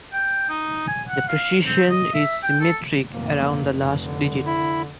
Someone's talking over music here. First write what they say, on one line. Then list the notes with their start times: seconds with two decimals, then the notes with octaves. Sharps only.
The precision is symmetric around the last digit.
0.13 G5
0.49 D#4
0.88 G#5
1.08 F#5
1.28 F5
1.66 C4
1.90 D#5
2.14 E5
2.43 G5
2.61 A4
3.12 F1 A#3
3.98 D3
4.46 E4